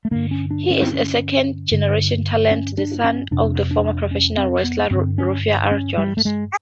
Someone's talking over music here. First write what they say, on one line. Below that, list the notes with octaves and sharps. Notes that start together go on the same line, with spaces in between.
He is a second-generation talent, the son of former professional wrestler Rufus R. Jones.
A3
G2 D3 A#3
C#4
D4
C#4
C4
C#4
G2 D3
C#4
D4
C#4
F2 C3 D4
D4
C#4
C4
B3
G2 D3 C4
C#4
C#4
G3
A3
G#3